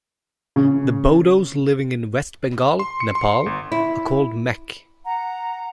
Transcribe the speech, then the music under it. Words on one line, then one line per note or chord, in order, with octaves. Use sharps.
The Bodos living in West Bengal, Nepal are called Mech.
C#3
C6
C#7
C6
G1
E4
F#5 A#5